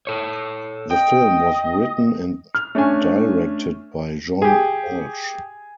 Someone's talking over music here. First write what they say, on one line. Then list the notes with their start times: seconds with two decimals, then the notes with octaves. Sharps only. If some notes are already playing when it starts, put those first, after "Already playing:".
The film was written and directed by John Walsh.
0.07 A4 C#5
0.91 D#5 G5
2.55 F6
2.75 A3 C#4 D4 G#5
4.42 G4 G#4 G#5